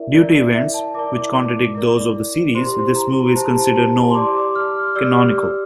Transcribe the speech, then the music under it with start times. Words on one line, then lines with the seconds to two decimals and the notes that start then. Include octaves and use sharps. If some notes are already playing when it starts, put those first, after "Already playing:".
Due to events, which contradict those of the series, this movie is considered non-canonical.
Already playing: E4 A#4 D5 E5
0.14 E4 A#4 D5
0.34 D5
0.55 E5
0.74 A5
0.95 E4 A#4 D5 D6
1.75 E4 A#4 D5
2.55 E4 G4 C5 C6
2.95 A#5
3.36 E4 G4 C5 A5
3.55 A5
3.76 A5
3.96 A5
4.11 C6
4.15 G4 D5 D6
4.56 F6
4.96 G4 D5 E6